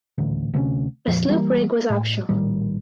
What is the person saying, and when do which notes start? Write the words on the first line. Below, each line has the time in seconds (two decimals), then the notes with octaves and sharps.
A sloop rig was optional.
0.18 D#1 A1 D2
0.54 D2 C3 A3 C#4
1.07 F2 A#2 F3
1.28 E3 G3 A3 A#3
1.90 A2
2.29 A#1 A2 D#3 G3